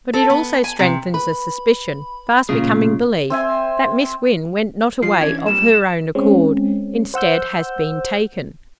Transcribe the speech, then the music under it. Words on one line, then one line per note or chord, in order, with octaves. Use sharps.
But it also strengthens a suspicion, fast becoming belief, that Miss Wynn went not away of her own accord; instead, has been taken.
A4
B3
G#5
C3
B4 B5
B1 A#2 C#3 F4 G#4
C4 E5 G#5
F3 C7
E3 C#4 D4 G#6
A#2 G3 C4 E7
G#3 C4 C#4
C5 F#5 E6 G6